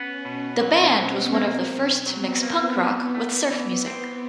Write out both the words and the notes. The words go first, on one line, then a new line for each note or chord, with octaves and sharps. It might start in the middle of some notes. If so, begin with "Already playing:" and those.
The band was one of the first to mix punk rock with surf music.
Already playing: B3 C#4
B2
F#3 C4
B2 B3
A#3 C4
B1
F#3 B3
A#3
E3 B3
A3
E3
C4